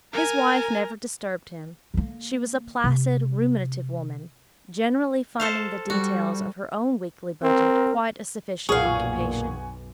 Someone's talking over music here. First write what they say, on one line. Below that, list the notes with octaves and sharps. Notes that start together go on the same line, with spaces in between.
His wife never disturbed him; she was a placid, ruminative woman, generally finding the details of her own weekly budget quite a sufficient occupation.
A#4 G#5 A#5
D3 A#3
C3
A4 C5 F5
G3 F#4
C4 A#4
B1 F#2 A#2 G#4 F5 F#5 G#5 C#6